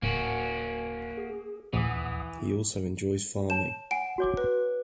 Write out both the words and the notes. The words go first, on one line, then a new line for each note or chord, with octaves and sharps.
He also enjoys farming.
D1 A#3 C#4 F#4
G#4
A#1 D#2 E3 F#5 D#6
C#5 A5 E7
F#5 G#5 D7
F#4 C#5 D6
B4